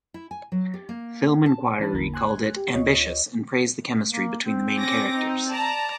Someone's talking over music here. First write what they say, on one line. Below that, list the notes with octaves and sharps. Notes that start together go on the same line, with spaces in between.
Film Inquiry called it "ambitious" and praised the chemistry between the main characters.
E4
G#5
F#3
G4
A#3
A5
E3 C#4 A5 B5
A1 E2 D3 A#3 A#5
G#5 C6 F#6 G#6
G4
D2 F4 C#5 D#5 C#6
A#3
C4
C#4 D6 A#6
D#4
D5 A5 A#5